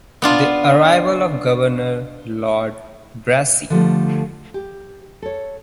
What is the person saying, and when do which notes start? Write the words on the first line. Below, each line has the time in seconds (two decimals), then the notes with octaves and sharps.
The arrival of the Governor Lord Brassey.
0.22 B3 D4 F4
3.70 D3 F3 G3 A3
4.54 G4
5.22 A4 C#5